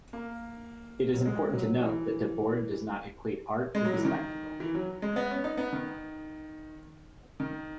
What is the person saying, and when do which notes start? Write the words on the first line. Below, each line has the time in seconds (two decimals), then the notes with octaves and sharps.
It is important to note that Debord does not equate art to the spectacle.
0.13 A#3
1.14 F#3
1.26 G#3
1.53 F#3
1.81 E3
3.75 G#3
3.85 F#3
3.94 E3
4.05 D#3
4.60 E3
4.75 F#3
5.02 G#3
5.16 B3
5.31 C#4
5.44 D#4
5.57 B3
5.73 D#3
7.40 D#3